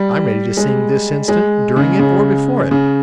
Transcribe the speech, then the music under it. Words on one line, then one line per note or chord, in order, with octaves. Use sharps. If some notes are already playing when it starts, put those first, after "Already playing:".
"I'm ready to sing this instant,--during it, or before it."
Already playing: G3
G#3
G#3
C#3
C#3
C#3